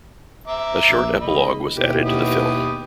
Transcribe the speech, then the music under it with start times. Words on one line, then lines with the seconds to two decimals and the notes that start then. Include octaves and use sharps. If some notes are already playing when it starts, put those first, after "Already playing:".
A short epilogue was added to the film.
0.47 E5 A#5 D6
0.89 A#1
1.21 G#1 C#2 D#5 B5
1.75 D#2 B2 E4 G4
2.05 G4 B4 D#6